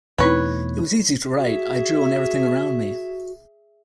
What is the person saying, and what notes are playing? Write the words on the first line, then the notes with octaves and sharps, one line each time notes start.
It was easy to write, I drew on everything around me.
E2 B2 A3 C4 D#4 E4 B4 C#5
F#4 G#4 E5